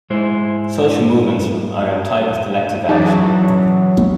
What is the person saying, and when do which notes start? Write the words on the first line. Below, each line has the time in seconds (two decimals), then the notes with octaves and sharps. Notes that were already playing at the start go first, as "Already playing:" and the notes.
Social movements are a type of collective action.
0.10 G#2 G#3 E4 C5
2.89 F#2 E3 F#3 D#4 G#4 D5 A5